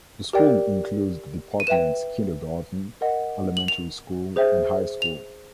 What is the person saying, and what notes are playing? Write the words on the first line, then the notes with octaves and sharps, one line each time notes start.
The school includes the departments kindergarten, elementary school, and high school.
G4 A#4 D5 G5
D#7
B4 E5 G5 E7
A#4 D#5 F#5
F#7
F7
G#4 C5 E5 G5
F7